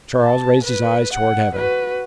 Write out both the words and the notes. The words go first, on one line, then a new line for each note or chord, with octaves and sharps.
Charles raised his eyes towards heaven.
A5
B4
F#5
F#4 B4